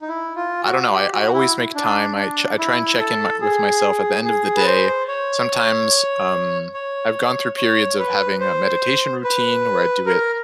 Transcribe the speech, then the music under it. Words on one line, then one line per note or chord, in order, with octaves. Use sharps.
I don't know. I I always make time. I tr I try and check in with myself at the end of the day. Sometimes, um, I've gone through periods of having a meditation routine where I do it
D#4
E4
F4
F#4
G4
F#4
E4
D4
D4
E4
A4
G#4
G#4
B4
C5
C#5
C#5
C#5
B4
C5
B4
A#4